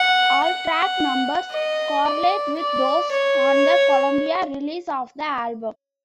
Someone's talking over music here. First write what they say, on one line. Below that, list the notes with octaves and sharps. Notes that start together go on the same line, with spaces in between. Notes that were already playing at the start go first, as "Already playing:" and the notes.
All track numbers correlate with those on the Columbia release of the album.
Already playing: F#5
F#5
D#5
D5
D5
C#5